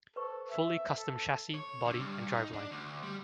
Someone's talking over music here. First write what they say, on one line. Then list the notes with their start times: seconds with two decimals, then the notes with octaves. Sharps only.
Fully custom chassis, body and drive-line.
0.16 A4 B4 C5 C#6
0.51 E5
0.97 A4
1.54 C#5
1.85 D3
2.00 G2
2.34 D#4
2.53 D4
2.71 D2
3.03 G3